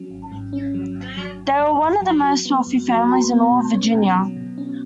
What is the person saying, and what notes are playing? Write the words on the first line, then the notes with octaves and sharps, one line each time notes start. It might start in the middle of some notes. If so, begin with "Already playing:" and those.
They were one of the most wealthy families in all of Virginia.
Already playing: F#3 C#4
G#1
G#2
C#4
F#3
G#1
F#3
G#1
F#2
G#1
F#3
F#4
B3
F#2
F#3
F#4
B3
B2
C#4
B2
F#3
B2
C#4